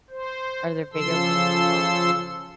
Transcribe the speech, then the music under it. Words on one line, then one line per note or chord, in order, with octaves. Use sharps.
Are there video games involved?
C5
C#3 F3 A4 C6 E6